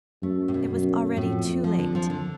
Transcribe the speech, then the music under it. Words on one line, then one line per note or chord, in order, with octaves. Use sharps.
It was already too late.
F#2 A3
A2
B2
F#2
F2 A2
F3
D3
F3
D3